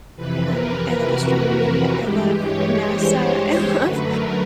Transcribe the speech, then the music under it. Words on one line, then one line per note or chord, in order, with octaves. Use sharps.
Um, I love astronomy, I love NASA, I love
F2 C3 E3 B4
A#4
B4
F#4
G2 E3 G#3 G4
C#5
C5
F#2 D3 F#3 A3 B4
A#4